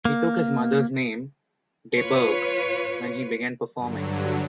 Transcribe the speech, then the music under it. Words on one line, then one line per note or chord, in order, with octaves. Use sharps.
He took his mother's name, "de Burgh", when he began performing.
A#3
F4 B4 C#5
G2 D3 F#3